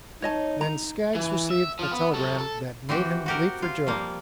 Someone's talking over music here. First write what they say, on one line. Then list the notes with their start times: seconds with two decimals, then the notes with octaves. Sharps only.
Then Skaggs received a telegram that made him leap for joy.
0.22 D#4 C#5 D#5 A5
0.61 A#5
1.15 E3
1.51 E5
1.79 F3 F4
1.91 B3
2.14 F#3 A4
2.38 A4
2.89 E3 C4 F#4 G4
3.26 F#4 G4 A#4
3.62 F4
3.87 F3 G3 A#3 C4